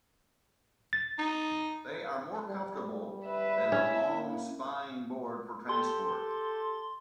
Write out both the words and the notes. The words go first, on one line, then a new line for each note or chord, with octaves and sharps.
They are more comfortable than a long spine board for transport.
A6
D#4
G3
G3
B4 E5
C#4 E4
A#3
G4 A4 C6